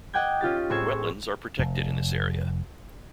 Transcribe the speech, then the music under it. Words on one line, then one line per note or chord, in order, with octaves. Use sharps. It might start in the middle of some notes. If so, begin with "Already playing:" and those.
Wetlands are protected in this area.
D#5 F#5 G5 D6 G6 G#6
C#4 F4 G4 A6
A1 C4 G#4 C#6 E6 G#6
F1